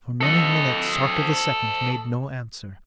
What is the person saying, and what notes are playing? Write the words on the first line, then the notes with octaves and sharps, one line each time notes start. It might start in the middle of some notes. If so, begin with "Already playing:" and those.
For many minutes Sarka the Second made no answer.
A4 D#5